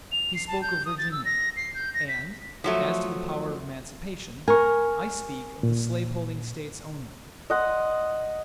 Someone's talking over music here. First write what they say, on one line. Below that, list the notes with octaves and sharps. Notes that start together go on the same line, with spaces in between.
He spoke of Virginia; and, as to the power of emancipation, I speak of the slave holding States only.
F7
C7
A5
G6
D#6
A6
E6
A#6
C7
G6
A#6
B6
F3 F#3 A3
A#4 G#5 C#6
A#2
D#5 F#5 C6